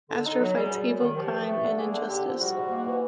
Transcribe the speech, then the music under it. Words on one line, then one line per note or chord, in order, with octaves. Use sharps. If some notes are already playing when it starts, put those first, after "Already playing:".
Astro fights evil, crime and injustice.
D3
D#4
F#3
G3 G#4
F#2
F#2
D#3
F3 G4
G2
A3
D3
A#3 G#4
D3
D3 G4
F3
G3 F#4
G#2
A#3
E3